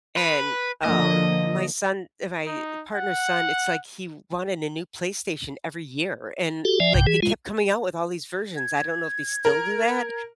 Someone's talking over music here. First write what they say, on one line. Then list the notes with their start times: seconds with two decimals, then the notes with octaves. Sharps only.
and um my son, ri my partner's son, it's like he wanted a new PlayStation every year, and like they kept coming out with all these versions. I don't know if they still do that,
0.17 B4
0.84 D3 F3 A#3 D#5
2.46 D#4
2.94 F#5
6.65 F#4 G4 A4
6.80 F3 D5 E5 G#5
6.94 B1 G2 C3 G5
7.07 E3 G#4
7.22 G#3 F4
8.56 G#6
9.45 A#4